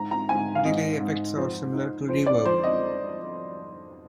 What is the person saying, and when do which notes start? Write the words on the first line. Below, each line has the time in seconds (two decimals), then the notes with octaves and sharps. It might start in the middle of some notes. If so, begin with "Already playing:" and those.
Delay effects are similar to reverb.
Already playing: G#2 A#5
0.11 A#5
0.29 G#2 G#5
0.55 F5
0.65 G#2 D#5
1.00 G#2
1.37 F2 C5
1.74 D#4
2.08 F2 C5
2.26 D5
2.45 F2 C5
2.63 D#5